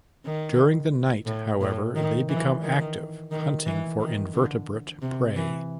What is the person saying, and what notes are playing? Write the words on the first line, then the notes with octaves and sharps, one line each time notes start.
During the night however, they become active, hunting for invertebrate prey.
D#3
A2
A2
D#3
E3
D#3
D#3
E3
D#3
D3
C3
E3